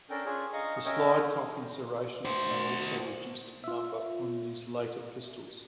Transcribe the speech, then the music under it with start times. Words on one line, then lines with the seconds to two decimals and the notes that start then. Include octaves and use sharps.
The slide cocking serrations are also reduced in number on these later pistols.
0.10 C#4 D4 A4 A#4 G5
0.25 C#4 D4 F4 G#4 C#5
0.53 D#5 F5 A#5 C#6 D#6
0.85 C#4 A#4 C#5 D#5 E5 G5
2.25 F#4 C5
3.64 F4 E5